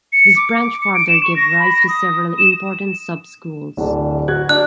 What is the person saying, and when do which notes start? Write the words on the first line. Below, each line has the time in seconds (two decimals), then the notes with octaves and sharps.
This branch further gave rise to several important sub-schools.
0.13 C#7
0.36 D6
0.59 D6
0.82 C#7
0.94 D7
1.08 E7
1.23 C#6
1.36 A#6
1.59 B5
1.72 A#6
1.88 D#6
2.38 E7
3.77 D1 D4
4.28 F#4 F#6 G#6
4.49 D4 F#6